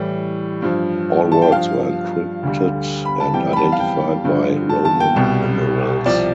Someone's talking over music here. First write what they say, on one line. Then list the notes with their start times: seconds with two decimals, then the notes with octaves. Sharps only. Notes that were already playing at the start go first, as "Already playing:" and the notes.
All works were encrypted and identified by Roman numerals.
Already playing: A2 E3 G3
0.62 G2 F3
1.32 A5
1.42 G5
1.52 G2 F3 F5
2.43 D2 D3 G3
3.05 B5
3.20 A5
3.34 F2 E3 G3 G5
3.53 B5
3.57 A5
3.72 F5
3.80 G5
4.24 G2 D3 F3
4.69 A5
4.85 A5
5.00 G5
5.15 C2 B2 G3
6.06 C2 C3 F3 D5